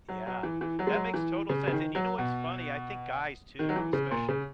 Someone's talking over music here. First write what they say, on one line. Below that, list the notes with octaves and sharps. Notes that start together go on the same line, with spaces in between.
Yeah. That makes total sense, and, you know, what's funny? I think guys too, especially
F#3
F#3
E3
E3
F#3
G#3
F#3
E3
C#3
C#3
D#3
F#3
B2
D#3
F#3
E3
C#3
A#2
C#3